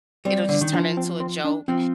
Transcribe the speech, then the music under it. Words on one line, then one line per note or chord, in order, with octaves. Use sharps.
it'll just turn into a joke.
G3 C4
D3
D#3
F3 D4
C4
C4
D4
F3 C4